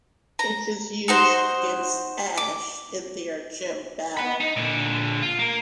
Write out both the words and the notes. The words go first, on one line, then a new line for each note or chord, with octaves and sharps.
It is used against Ash in their gym battle.
A#5
D#4 F#4 C5
D6
F#5 B5
D#4
A#2 D3
F4
A#3